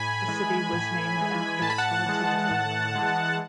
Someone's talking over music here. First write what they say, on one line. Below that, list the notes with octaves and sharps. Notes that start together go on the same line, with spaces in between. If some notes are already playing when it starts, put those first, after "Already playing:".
The city was named after Alton, Illinois.
Already playing: A2 G#5 B5
E3 G#3
A2
E3 G#3
A2 A5
B5
F#5 A5
E3 G#3
A2
E3 G#3